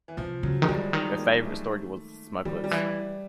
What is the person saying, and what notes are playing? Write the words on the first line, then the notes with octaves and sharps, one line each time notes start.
Her favourite story was The Smugglers.
E3
C3 F3
C#3 F#3
D#3 G#3
D3 G3
D#3
A#3
A3
D#3 G3
G3
E3